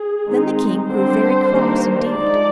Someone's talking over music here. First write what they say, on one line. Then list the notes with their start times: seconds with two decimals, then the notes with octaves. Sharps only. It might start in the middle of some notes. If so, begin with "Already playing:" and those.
Then the king grew very cross indeed.
Already playing: G#4
0.25 D#3 G#3 C4 D#4
0.87 D3 G3 C4 C5
1.49 D#3 G3 A#3 D4
2.10 F3 G#3 D#4 D5